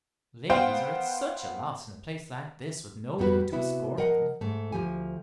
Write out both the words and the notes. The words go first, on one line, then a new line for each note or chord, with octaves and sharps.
Ladies are at such a loss in a place like this with nobody to escort them.
B3 C5 F5 G5
F2 G3 B3 E4 F#4 B4
C3 B3 E4 F#4
F3 A#4 D#5 F#5
G#2 A3
D2 D#3 F3 G4 G#5